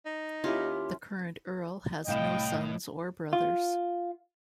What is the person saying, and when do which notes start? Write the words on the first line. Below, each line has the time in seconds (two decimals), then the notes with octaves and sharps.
The current Earl has no sons or brothers.
0.06 D#4
0.44 D#2 C#4 E4 F4 G4
2.08 C2 A2 D#5 F5 G5 E7
3.33 F4